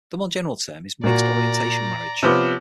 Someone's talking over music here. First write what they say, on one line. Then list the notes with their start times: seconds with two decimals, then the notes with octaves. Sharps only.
The more general term is mixed-orientation marriage.
1.04 A#2 F#4 D5 A#5
2.23 C3 F3 B3 C#5 D6 D#6